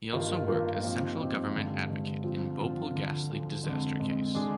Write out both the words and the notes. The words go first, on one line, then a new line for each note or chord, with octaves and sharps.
He also worked as Central Government advocate in Bhopal Gas Leak Disaster case.
G2 D#3 A#3 F4 A#4
G2 D#3 A#3 F4 A#4
A#2 F3 C4 D#4 G4
A#2 F3 C4 D#4 G4
G2 D3 G#3
G2 D3 G#3
D3 F3 C4 F4
D3 F3 C4 F4
D2 D3 F3
D2 D3 F3
F2 D3 G#3
F2 D3 G#3
D3 G#3 D4 G#4